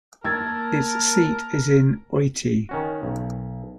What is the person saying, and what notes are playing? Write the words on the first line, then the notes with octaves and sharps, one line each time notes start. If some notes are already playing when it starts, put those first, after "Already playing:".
Its seat is in Oitti.
A#3 A#4 A5 E6 G#6 A6
D#3 C#4 F#4
B1